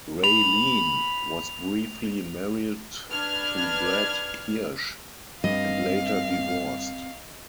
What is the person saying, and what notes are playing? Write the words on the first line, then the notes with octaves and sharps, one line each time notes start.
Raylene was briefly married to Brad Hirsch and later divorced.
B5 F7
D4 B4 F6 G#6
G2 C4 D#5 F5